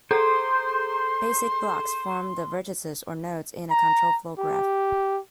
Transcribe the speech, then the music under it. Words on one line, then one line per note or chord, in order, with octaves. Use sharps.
Basic blocks form the vertices or nodes in a control flow graph.
G#4 A4 C5 A#5 C6
A#5
G4